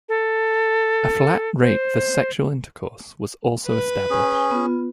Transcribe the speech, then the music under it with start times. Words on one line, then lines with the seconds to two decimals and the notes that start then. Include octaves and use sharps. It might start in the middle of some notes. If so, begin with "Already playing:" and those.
A flat rate for sexual intercourse was also established.
0.09 A4
1.62 C5
3.66 B4
4.10 C#4 G#4
4.51 B3 F4